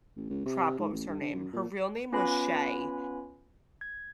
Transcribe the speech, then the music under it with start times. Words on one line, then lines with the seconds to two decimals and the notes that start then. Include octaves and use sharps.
crap, what was her name? Her real name was Shay,
0.17 A1
0.30 C#2
0.45 C3
0.79 G#2
0.93 A1
1.08 G2
1.21 D3
1.33 F#2
1.53 A#2
2.12 B3 C#4 F4 B4 G#5 B5
3.81 G#6